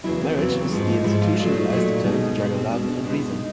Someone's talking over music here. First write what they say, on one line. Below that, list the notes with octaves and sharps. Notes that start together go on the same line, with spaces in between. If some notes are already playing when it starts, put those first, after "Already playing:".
Marriage is the institutionalized attempt to juggle love and reason.
E2 C#3 F#3 E4
C4
E2 C#3 F#3 C4
B3
C4
G#2 F3 G#3 C#4
D#4
G#2 F3 G#3 E4
F4
A#2 F#3 A3 F4
D#4
A#2 F#3 A3
B2 G#3 D#4
B2 G#3
C4
B2 G#3 D4
C#4
D4
C#4
B2 G#3 D4
E4
D#4